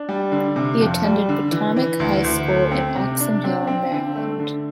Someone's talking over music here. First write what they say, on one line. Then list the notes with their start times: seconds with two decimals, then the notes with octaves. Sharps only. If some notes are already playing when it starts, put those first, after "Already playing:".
He attended Potomac High School in Oxon Hill, Maryland.
Already playing: D4
0.09 G3
0.32 D3
0.56 C3
0.80 F2
1.04 G3
1.29 D3
1.52 E3
1.77 E3
2.00 D2
2.24 D2
2.48 A3
2.72 C4
2.96 C3
3.20 D4
3.44 C4
3.67 C4
3.92 D3
4.16 A3
4.40 D3